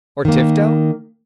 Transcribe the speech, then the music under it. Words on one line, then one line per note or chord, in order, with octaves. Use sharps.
"Or Tifto?"
D#3 A#3